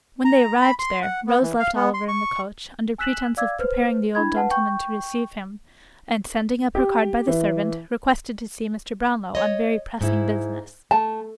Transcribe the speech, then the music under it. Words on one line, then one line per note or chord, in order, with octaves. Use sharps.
When they arrived there, Rose left Oliver in the coach, under pretence of preparing the old gentleman to receive him; and sending up her card by the servant, requested to see Mr. Brownlow on very pressing business.
A#5
B5
C6
F#5
B3
E3
F5
B3
C6
C#6
G#5 E6 F#6 B6 E7 F#7
D5 F5 D6 E6 G#6
B4 C5 F6
D4 E4 B5 G#6
B4 F#5 A5
G5 C#6 G6
G4
E3
C#5 D#5
G#2 E4
A3 A5